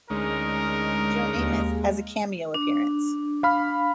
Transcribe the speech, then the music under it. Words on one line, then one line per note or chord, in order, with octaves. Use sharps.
Joe Namath has a cameo appearance.
D2 G#3 C#4 D#4 A#4
D#2
D4
F5 B5 F6